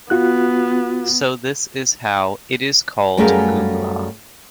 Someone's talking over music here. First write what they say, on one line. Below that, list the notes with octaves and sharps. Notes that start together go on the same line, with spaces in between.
So this is how it is called Gumla.
B3 F4 F#4 F#6
F#2 G3 A3 G#4 A#4 F5